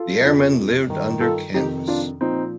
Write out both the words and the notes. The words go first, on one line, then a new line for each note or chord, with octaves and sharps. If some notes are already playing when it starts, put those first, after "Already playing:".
The airmen lived under canvas.
Already playing: F4 A4
F2 C3 F3
G2 D#3
F4 A4
F2 C3 D#3 D#4 G4
D4 F4
A#2 F3 C4 D#4